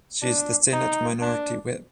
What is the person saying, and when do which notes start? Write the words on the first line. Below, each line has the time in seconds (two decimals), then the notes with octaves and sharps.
She is the Senate minority whip.
0.22 D4
0.73 D#4
1.21 D4